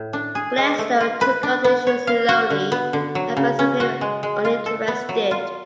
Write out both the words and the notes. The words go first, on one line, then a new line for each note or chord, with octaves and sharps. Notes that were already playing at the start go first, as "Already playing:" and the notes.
Gladstone took up the issue slowly, at first appearing uninterested.
Already playing: A2
D4
G#4
G#3
A3
F4
B4
D4
B3
C#5
F5
F#4
D3
B3
D3
F#3
C#3
C#4
F#4
G#3
G#3
F4
A4
B3
F#3
F4